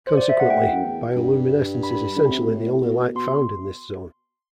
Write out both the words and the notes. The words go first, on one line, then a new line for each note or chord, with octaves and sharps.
Consequently, bioluminescence is essentially the only light found in this zone.
C5
D5
E5
B2 F#5
A2 G5
F#2
E2
G2
B5
D3
C3
B2
A2
B2
B2 C6